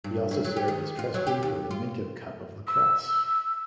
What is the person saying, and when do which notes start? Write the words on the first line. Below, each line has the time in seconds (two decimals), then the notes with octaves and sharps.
He also served as trustee for the Minto Cup of lacrosse.
0.04 G2
0.31 F#2
0.45 F#3
0.56 G4
0.68 D#3
0.99 F4
1.14 F#3
1.27 G4
1.43 D#2
1.71 F4
2.68 E6